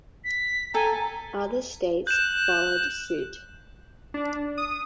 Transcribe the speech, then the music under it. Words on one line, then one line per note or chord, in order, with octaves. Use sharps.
Other states followed suit.
B6
A4 G5 G#5 A#5
F#6 G6 E7
D4
D#6